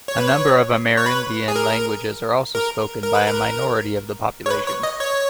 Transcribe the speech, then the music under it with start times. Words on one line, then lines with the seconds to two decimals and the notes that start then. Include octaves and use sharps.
A number of Amerindian languages are also spoken by a minority of the population.
0.08 C#5
0.18 B4
0.28 C#5
0.97 C#5
1.06 B4
1.48 G#4
1.56 A#4
2.55 A#4
3.03 A#4
3.15 B4
3.27 A#4
4.46 C#5
4.50 B4
4.67 C#5
4.83 D#5
5.00 C#5